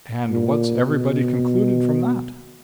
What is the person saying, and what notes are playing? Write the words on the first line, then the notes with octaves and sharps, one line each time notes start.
"And what's everybody concluded from that?"
A#2
B2